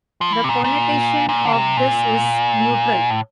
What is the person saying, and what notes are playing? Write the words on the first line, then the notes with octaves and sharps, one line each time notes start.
The connotation of this is neutral.
F3
E3
C3
A#2
A#2
A#2
D3
C3
A#2
A2